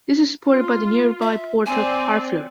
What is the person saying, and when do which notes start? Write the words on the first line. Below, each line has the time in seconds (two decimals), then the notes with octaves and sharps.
This was supported by the nearby port of Harfleur.
0.48 F4
1.21 E5
1.66 C4 D5 G#5